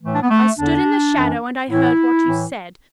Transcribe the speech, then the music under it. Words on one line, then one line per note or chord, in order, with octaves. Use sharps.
I stood in the shadow, and I heard what you said.
A2 E3 A3
D4
B3
A3
E2 D3 D4
F#2 E3
A2 E3 E4
A2 E3